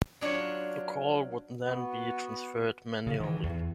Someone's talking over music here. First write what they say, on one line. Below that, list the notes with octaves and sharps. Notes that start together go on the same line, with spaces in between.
The call would then be transferred manually.
F#3 D4 F4 C#5
B3 F#4
C#3
D#3 E3
E2